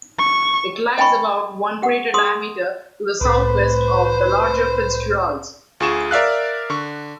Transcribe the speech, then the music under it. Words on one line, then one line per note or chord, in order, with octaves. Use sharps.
It lies about one crater diameter to the southwest of the larger Fitzgerald.
C#6
D#5 G5 G#5 B5 C#6
G4 F#5
G#4 C6 D#6
C2 A2 B4 C5
D2 F4 G#4 C#6 E7
A#4 D5 E5 F5 F#6
D3 C#6